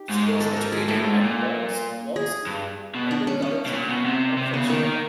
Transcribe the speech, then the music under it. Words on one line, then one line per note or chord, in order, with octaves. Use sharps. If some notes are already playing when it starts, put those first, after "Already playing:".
She was educated at Monk's Walk School, Welwyn Garden City, Hertfordshire.
Already playing: D#4 G4
G#2
A4
A#4
G#4
A2 A4
G#2
A#2
G#4
G2
B2
D4
C#4
C#4
B2
A#2
B2
C3
C3
C#3 B3
D#3 A#3
D#3